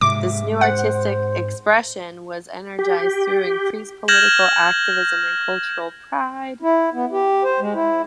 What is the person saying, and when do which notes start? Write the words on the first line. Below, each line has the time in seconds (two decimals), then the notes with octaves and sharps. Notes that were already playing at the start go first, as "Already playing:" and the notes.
This new artistic expression was energized through increased political activism and cultural pride.
0.01 G#2 C3 G#3 E5 D6
0.61 C5 F#5
2.79 G4
4.08 F6 G6 G#6 A#6 E7 F#7
6.62 E4
6.93 B3
7.12 G4
7.43 C5
7.60 G#3
7.74 E4